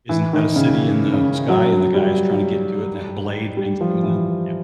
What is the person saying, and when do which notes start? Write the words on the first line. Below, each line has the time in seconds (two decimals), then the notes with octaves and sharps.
Isn't that a city in the sky, and the guy is trying to get to it, and that blade thing's coming down, yeah.
0.09 E3
0.33 D#3
0.56 C#3
1.13 C#3
1.49 F#3
1.94 G3
3.57 G3
3.81 F3
4.03 E3